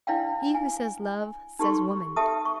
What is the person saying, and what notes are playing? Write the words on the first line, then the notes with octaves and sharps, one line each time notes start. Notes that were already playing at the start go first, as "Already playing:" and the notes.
He who says love, says woman.
D4 E4 D5 F5 G5
G#5
D#4 G4 A4 C6 C#6
G4 A4 E5 A5 D#6
C#6